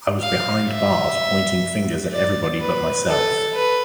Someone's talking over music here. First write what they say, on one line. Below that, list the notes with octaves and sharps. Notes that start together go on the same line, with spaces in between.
I was behind bars, pointing fingers at everybody but myself.
F5
E5
D5
B4
A4
B4